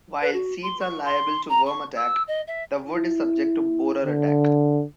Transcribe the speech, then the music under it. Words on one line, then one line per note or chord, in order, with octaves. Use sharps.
While seeds are liable to worm attack, the wood is subject to borer attack.
B4
F#4
C6
C#6
C6
A#5
C#6
E6
D#5
E5
E4
D3